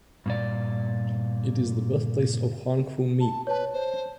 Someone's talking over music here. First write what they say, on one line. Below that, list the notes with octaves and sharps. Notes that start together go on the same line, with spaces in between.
It is the birthplace of Huangfu Mi.
G2 A#2 D5
A5
B4 C#5 A5
C5